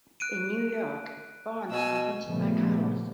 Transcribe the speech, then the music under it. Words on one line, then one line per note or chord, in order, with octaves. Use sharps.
In New York, Bourne is confronted by Carlos.
F#6 D7 D#7
B2 G#5 E6
A#2 C#3 F3 G3 A3 B3